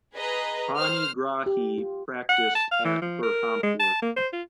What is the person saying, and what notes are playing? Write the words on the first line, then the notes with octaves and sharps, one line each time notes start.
Panigrahi practiced at Berhampur.
G#4 B4 D#5 A#5
C5 F6
G4
F4
F#5
A5
F5
E3
F3
A#4
G#3
A5
A#3
C5
F4